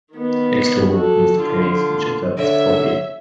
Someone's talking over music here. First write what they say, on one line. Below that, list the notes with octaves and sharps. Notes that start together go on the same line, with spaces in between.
'Extol' means to praise, which I felt was appropriate...
D#3 B3
F#4 A4
D3 F4
D3 C#5 E5